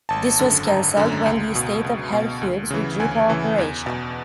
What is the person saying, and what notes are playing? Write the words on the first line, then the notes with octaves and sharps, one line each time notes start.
This was cancelled when the Estate of Ted Hughes withdrew co-operation.
G#1 A5
F#2 D3
G#1 A#5
F#2 D3
C#2
B2
C#2
B2
D2
C#3 E3
D2 G#5
C#3 E3
E2
B2